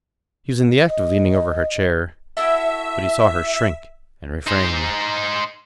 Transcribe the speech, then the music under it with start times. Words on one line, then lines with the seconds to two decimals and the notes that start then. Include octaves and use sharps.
He was in the act of leaning over her chair, but he saw her shrink, and refrained.
0.89 D#5
2.37 E4 F#4 A4 E5
4.47 D#4 C5